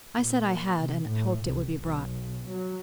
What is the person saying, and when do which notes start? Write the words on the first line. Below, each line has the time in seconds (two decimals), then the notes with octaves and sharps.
I said I had, and hoped it would be brought.
0.17 A#2
0.76 C3
1.06 A2
1.45 C2
1.76 B1
2.49 F#3